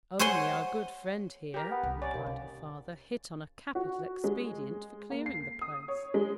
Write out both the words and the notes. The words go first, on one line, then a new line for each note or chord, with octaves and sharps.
'Only our good friend here,' replied her father, 'hit on a capital expedient for clearing the place.'
C5 C#5 F#5 G#5 C6
G4 A#4
B3
C2
C#4 D5
D#2 C3
C#4
F#4
G#3
A#3
C7
D#6
C#5
G#3